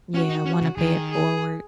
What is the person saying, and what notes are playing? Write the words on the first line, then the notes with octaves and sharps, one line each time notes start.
Yeah, wanna pay it forward.
C#4 F#4
D#4
C#4
C#3
D#3 G#4
G#4